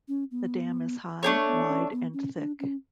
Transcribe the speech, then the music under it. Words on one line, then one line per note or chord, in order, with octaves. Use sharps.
The dam is high, wide and thick.
C#4
B3
A3 B3 D4 G#4 C#5
B3
C#4
B3
C#4
D4
C#4